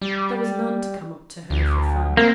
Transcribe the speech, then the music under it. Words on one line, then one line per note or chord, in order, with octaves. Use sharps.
There was none to come up to her for fun.
G3
D2
A#3 C4